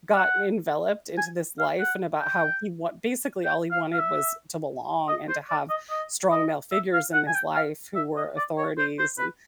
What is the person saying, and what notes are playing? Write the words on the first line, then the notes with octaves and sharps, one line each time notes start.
got enveloped into this life and about how he want basically all he wanted was to belong and to have strong male figures in his life who were authorities and
F#5
G#5
F5
F#5
G5
G5
F5
F5
E5
D#5
C5
D5
D#5
D#5
D#5
E5
F5
F#5
G#5
G5
F5
E5
D#5
D5
C#5
C5
C5
B4